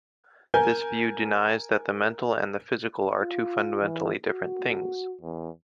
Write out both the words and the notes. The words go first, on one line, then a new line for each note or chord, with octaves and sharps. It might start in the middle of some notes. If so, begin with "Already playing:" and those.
This view denies that the mental and the physical are two fundamentally different things.
A#4 G#5 G6 G7
F4
E3
F#4
E2